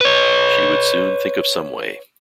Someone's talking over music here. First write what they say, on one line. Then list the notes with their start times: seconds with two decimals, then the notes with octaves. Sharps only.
She would soon think of some way.
0.01 B4 C#5